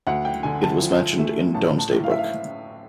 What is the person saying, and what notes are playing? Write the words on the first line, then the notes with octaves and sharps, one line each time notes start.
It was mentioned in Domesday Book.
D2 F#5
G5
D3 G#5
A5
F3
A3
A1 A5
A5
A2
F5
E5
F5